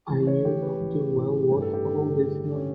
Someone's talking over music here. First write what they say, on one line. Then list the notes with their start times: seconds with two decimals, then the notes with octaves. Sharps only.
I knew but too well what all this meant.
0.10 A1
0.27 C#5
0.45 A1 G4
0.62 B4
0.81 A1
1.15 A2
1.51 G2 G4
1.62 A4
1.74 G4
1.86 D3
2.20 D3
2.55 C#4